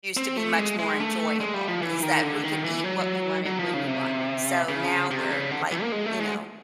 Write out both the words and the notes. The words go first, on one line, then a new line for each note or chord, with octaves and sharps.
used to be much more enjoyable is that we could eat what we wanted when we wanted. So, now we're, like, you know,
C4
A3
G#3
G#3
A3
G#3
G3
F3
E3
D#3
D3
D#3
E3
F#3
F#3
F3
C#3
C3
C#3
C3
C#3
D3
E3
A#3
G#3
A3
G#3